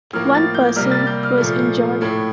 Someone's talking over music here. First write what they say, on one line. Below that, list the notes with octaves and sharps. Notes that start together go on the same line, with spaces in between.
One person was injured.
A2 F3 A#3 F6
A6
G6
C3 G3 A#3 F6
A6
G6
F6
A#2 F3 A3
A2 A3